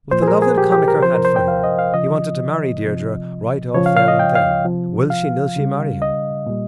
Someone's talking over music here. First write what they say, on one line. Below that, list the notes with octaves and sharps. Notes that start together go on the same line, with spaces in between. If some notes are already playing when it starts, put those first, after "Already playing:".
With the love that Connachar had for her, he wanted to marry Deirdre right off there and then, will she nill she marry him.
A#2 F3 C5
G#4
A#4
G#4
G4
G4
A#4
C3 F3 C5
A#4
C5
G5
F5
D#5
F5
C#3 F3 D#5
C3 F3
C#3 F3 C#5
F5
F5
D#5
G5
F5
C3 F3
F5
C#3 G3
D#5
A#2 G3